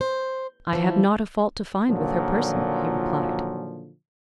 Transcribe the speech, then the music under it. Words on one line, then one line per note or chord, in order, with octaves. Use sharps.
"I have not a fault to find with her person," he replied.
C5
E3 F3
A#2 D3 D#3 F3 F#3